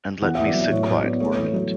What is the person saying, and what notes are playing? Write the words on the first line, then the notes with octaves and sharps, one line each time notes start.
And let me sit quiet for a minute.
E2 F#5
E2 E5
D5
F#3 E5
A2 C#5
A2
D5
B3
A3 C#5
E2
F#3